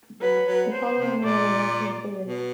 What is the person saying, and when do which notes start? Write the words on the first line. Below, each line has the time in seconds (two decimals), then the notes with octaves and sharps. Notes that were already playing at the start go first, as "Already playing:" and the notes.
The following may or may not be included.
0.21 F#3 B4
0.46 F#3
0.71 C5
0.97 C3
1.23 A#2 D5
2.25 B2